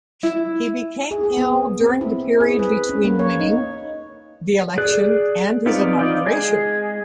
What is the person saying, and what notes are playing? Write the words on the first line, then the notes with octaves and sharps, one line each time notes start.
He became ill during the period between winning the election and his inauguration.
E4
G#4
G#4
B3
C4
E4
G#4
B4
C#4
A#3
C#5
D#4
G#4 D5 F#6
B3 C4 D#4 F4 D5
D#4 F4 D5
G#3 G#4